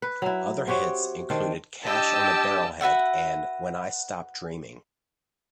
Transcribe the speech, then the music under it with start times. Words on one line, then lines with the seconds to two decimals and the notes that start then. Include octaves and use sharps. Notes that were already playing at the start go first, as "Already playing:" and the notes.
Other hits included "Cash on the Barrelhead" and "When I Stop Dreaming".
0.02 B4
0.22 F#3 E4
0.67 C4 F#4 G4 C#5
1.30 D#3 C4 D4
1.87 D4 G4 D#5 G5 A5 E6
2.81 F#4 B4 E5 F#5